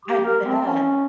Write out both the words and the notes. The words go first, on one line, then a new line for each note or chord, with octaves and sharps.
I bet.
G4
A#4
C4
C#4